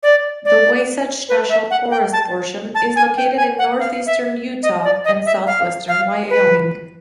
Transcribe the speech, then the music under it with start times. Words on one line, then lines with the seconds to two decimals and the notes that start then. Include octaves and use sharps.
The Wasatch National Forest portion is located in northeastern Utah and southwestern Wyoming.
0.03 D5
0.45 D5
1.29 B4
1.50 E5
1.71 F#5
1.91 G5
2.13 A5
2.75 A5
2.96 G#5
3.17 G5
3.37 G#5
3.59 F#5
3.80 F5
4.07 E5
4.63 D#5
4.84 D5
5.05 D#5
5.26 E5
5.47 F5
5.88 F5
6.30 B4